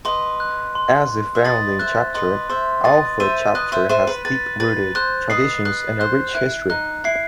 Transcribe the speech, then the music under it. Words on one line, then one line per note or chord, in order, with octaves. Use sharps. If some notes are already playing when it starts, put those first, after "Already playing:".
As the founding chapter, Alpha Chapter has deep rooted traditions and a rich history.
B4 D#5 C6
F#6
C6
C6
E5
B4 D#5 A6
C5 E5 F#6
B4 D#5 C6
C5 E5 C6
B4 D#5 A6
C5 E5 D#7
B4 D#5 F#6
C5 E5
C5 E5 D#7
B4
B4 A6
B4 A6
C5 F#6
B4 D#5 C7
B4 D#5 F#6
C5 F#6
E4 F#6
D#4 F#6
E4 C7